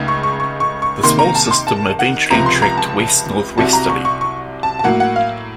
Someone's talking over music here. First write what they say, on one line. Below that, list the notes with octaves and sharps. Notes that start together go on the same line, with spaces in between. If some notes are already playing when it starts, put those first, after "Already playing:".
The small system eventually trekked west-northwesterly.
Already playing: C#2 C#3 A3 D#4
C#6
C#6
C#6
C#6
C#6
C3 D#3 A#3 C6
A#5
A5
C6
A5
F#5
C#2 C3 F3 A#5
C6
A#5
A5
C2 C3 F#3 A5
A#5
C#6
C#6
C#6
A5
A5
A2 F#3 A#3 F#5
F#5
F5